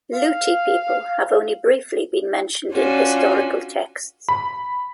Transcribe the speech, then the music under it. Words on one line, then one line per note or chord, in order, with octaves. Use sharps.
Luti people have only briefly been mentioned in historical texts.
F5
C#4 D4 F4 F#4
B5